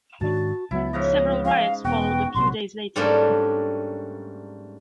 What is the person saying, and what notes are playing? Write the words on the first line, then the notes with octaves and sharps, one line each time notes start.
Several riots followed a few days later.
G#2 D#3 D4 F#4 A5
C#2 F#3 B3 E4
G#2 C#3 F3 D#5
F5
E1 B3 F#4 G5
A#1 C3 F#3 C6
G#2 G3 A3 A#3 C#4 D4